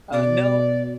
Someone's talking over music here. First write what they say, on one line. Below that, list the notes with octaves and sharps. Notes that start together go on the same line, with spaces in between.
Uh, no.
B2 D5